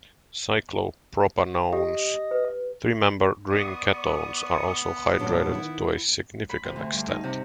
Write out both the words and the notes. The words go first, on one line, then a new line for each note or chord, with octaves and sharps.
Cyclopropanones- three-membered ring ketones- are also hydrated to a significant extent.
G4 D#5
B4
B3 D5 C#6 D#6
E2 G2 A#2 F#3 D4
D#3 E4 F#5
B5
C3
D2
G2
D#4
C3